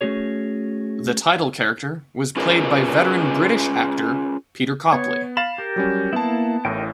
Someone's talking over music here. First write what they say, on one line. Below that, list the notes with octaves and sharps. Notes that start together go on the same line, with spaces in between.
The title character was played by veteran British actor Peter Copley.
A3 C#4 F#4 G#4 C#5
C#4 F4 G#4 A#4 B4
B3 C#5
F5 B5 A6 E7
G4 A#4
F#3 G3 C#4
A#3 B3 E4 A5
A1 A2 D#4 A#4 G5